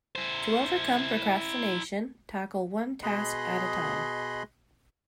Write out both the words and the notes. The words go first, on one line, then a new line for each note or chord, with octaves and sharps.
To overcome procrastination, tackle one task at a time.
E4 C5
B2 G#4 D#5 B5 C6 F#6